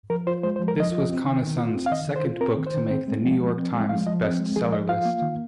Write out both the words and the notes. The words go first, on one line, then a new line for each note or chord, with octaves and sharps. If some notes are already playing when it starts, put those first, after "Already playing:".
This was Conason's second book to make the "New York Times" bestseller list.
F3 A#4
F4 C5
G#3 C5
C5
F3
A#4
F3 D#5
F4
C4
D#3
D#3
F4
C4
F5
D#3 D#5
D#3
C5
F4
C4 A#4
D#3
C5
D#3
C4
G#3
F3
F3
C4
G#3
F3 F5
F3 D#5
C4 D#5
G#3
F3 G#4
F3 D#5
F4 F5
A#3
D#3